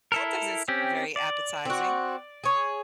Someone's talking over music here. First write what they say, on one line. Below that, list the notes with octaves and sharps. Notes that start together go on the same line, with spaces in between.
That doesn't seem very appetizing.
E4 A4 A#4
C4 C#4 G4
D5
C4 F#4
G#4 C#5